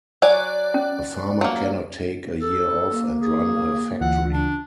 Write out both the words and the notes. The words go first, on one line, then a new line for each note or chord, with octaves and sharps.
A farmer cannot take a year off and run a factory.
F#3 C#5 D5 G#5 F#6
C#4
F#3 A#3
A4
A#3
G#4
D2 E3 F4 F#5
D4